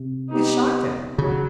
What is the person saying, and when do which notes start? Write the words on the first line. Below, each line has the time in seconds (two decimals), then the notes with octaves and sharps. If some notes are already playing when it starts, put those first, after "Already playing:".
It shocked him.
Already playing: C3
0.30 B3 D#4 G4
1.18 C#3 F#3